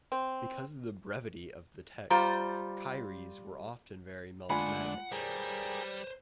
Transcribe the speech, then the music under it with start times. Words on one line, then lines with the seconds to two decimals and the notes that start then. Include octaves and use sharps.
Because of the brevity of the text, Kyries were often very melismatic.
0.12 C4
2.10 G3 F4 C5 A#5
4.50 D3 G#3 A3 D4 F4 F#5 G#5 B5
5.12 G3 G#4 A#4 C5 C#5 G5